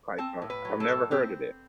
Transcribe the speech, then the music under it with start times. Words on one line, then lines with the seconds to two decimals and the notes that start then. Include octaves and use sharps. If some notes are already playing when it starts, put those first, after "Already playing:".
Python. I've never heard of that.
0.18 C4 A5
0.42 A2
0.50 B4
0.65 F#3
0.80 A4
0.88 A2
1.11 C4 G4